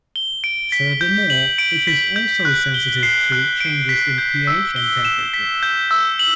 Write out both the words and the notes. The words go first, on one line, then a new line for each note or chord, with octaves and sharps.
Furthermore, it is also sensitive to changes in pH and temperature.
G7
D7
B6
G6
F#7
D7
B6
G6
F#6
G7
C7
F#6
D7
B6
G6
E6
G7
E7
B6
G6
E6
F#7